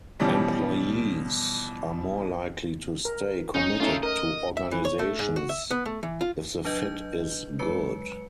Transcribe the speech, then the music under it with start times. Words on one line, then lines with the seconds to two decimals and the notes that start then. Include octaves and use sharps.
Employees are more likely to stay committed to organizations if the fit is 'good'.
0.19 B2 E3 F3 G3 C#4
3.05 A#4
3.55 C#4 D#4
3.80 A3 C#4 D#4 F4 A4
4.03 A#4 D#5
4.57 E5
4.71 E3
4.85 C#5
4.99 A3
5.19 G#2
5.36 F#4
5.49 E5
5.71 B3
5.86 A3
6.03 E3
6.21 F4
6.65 F#3 D4 B4 D#5 G6
7.59 F#3 G#3 B4 C#7